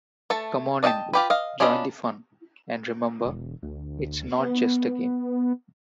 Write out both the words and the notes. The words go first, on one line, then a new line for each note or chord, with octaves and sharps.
Come on in, join the fun, and remember: It's not just a game...
A3 A4 A5
D4 D#5 F5 G5 A5
F4 G4 B4
D#5 F5
C#4 D4 F4 D#5 B5
E1
D2
B3